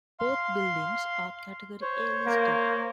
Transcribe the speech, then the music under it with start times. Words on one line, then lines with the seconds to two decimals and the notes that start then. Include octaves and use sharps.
Both buildings are Category A listed.
0.20 F5 C6
1.82 C5 C#5
2.26 A#3